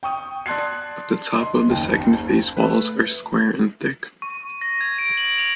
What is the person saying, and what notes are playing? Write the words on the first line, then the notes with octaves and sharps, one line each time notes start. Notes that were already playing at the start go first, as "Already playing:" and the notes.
The top of the second phase walls are square and thick.
G5 C#6 D#6
D5 A5 C6 F#6 G#6 C7
D#5 C6
F#1 D#2 D#4 G5
A3 B4
C#6
A#6
G#6
D7
F#7
F7